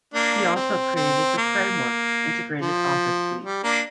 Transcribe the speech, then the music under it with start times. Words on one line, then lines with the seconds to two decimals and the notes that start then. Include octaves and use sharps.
He also created the Framework integrated office suite.
0.14 A#3 D4
0.55 C4
0.96 C4
1.38 A#3
2.61 F3
3.44 G3
3.64 A#3 D4